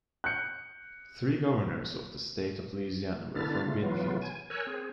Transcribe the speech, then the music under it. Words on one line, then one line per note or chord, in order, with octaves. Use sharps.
Three governors of the state of Louisiana were from Winnfield.
F#6 G6 C#7
D3 B3 D4 E4 F6 A6
C#3 A3 F4
E3 F#3 B3 F4
G#5
A#4 C#5 G#5 E6 F#6
C4 G#4